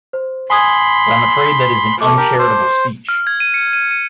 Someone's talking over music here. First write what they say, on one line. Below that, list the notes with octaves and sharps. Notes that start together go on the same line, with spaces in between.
But I’m afraid that is an uncharitable speech.
C5
G#5 B5 C6 D#6 G#6
A3 A5 D6
G4 A#4
C5
F6
G#6
D#7
C#7
D#7
D#7